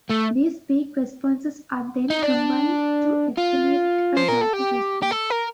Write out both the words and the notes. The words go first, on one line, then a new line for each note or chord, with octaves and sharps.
These peak responses are then combined to estimate a total response.
A3
D#4
D4
F4
C5
A#4
A4
G4
G4
A4
A#4